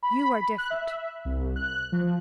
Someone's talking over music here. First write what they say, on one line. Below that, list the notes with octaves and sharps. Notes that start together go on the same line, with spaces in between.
You are different.
B5
F#6
E5
C2
F#6
F3